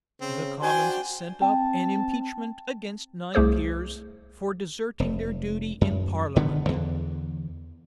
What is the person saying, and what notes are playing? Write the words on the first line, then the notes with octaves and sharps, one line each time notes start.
The commons sent up an impeachment against nine peers, for deserting their duty in parliament.
C#3 C4
D4 F#4 C5 G5 G#5
C4 G5 A5
C2 A3 G#4 C5 D6
F1
F#2
E1 D3 D#3 B3
E2 D3